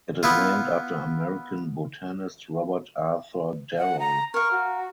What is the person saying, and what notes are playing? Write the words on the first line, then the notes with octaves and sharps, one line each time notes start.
It is named after American botanist Robert Arthur Darrow.
B3 E4 F4
F#5
A#5
A#4 F5 C#6
F#4